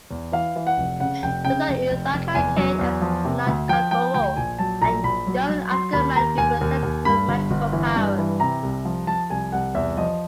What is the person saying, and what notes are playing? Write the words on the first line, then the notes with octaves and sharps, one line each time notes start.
It stars Issiaka Kane as Nianankoro, a young African man who possesses magical powers.
E2
E3 F5
E3
F#5
F1
C#3 F#5
F1 G5
C#3 G5
F1
F1
F1
E2 G#5
F#3
E2
F3
C3
D2
F3 G5
F3 G5
D2 G5
A#1 G#5
F#3 A5
A#1 A#5
A#1 B5
F#3
F#3
F#3 C6
D#2 B5
D#2 A#5
D#2 G#5
D#2
D#2
G2 B5
G1
G1
E3
G2
E3
C3 A#5
C2
F3
F3 A5
C2 G#5
C2 F#5
E2 E5
F3 D#5